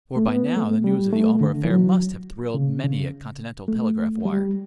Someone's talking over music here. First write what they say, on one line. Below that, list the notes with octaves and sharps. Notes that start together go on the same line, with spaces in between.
For by now the news of the Omber affair must have thrilled many a Continental telegraph-wire....
A3
B3
A3
G3
A3
D3
E3
F#3
C#3
C#3
A3
G3